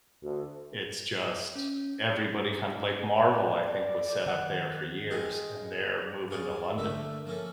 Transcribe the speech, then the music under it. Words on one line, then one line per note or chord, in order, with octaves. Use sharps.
It's just everybody kind like Marvel, I think, was set up there for years, and they're moving to London.
D2
C#4
D5
D#3 F#5 F#6
G#3 F4 G4 G#4 D#5
F4 G#4 C#5 D5
D2 G2 D3 A3 A#3 E5
F3 A#3 C#4 A4